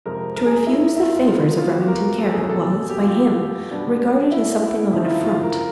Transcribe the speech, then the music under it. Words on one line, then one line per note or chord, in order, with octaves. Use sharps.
To refuse the favours of Remington Kara was, by him, regarded as something of an affront.
F2 C3 F3 G#3 A#4
A#4
G#4
G#4
E4
E4
F4
C3 F3 G#3 B3 D#4 F4
F4
F#4
G4
A#4
A4
G#4
B2 F#3 A3 A4
A4
G#4
G4
F4
G4
G4
B2 G3 B3 D4
E4
E4
E4
F2 C#3 F3 A#3 D#4 E4
F4
E4
F4
A#4
A#4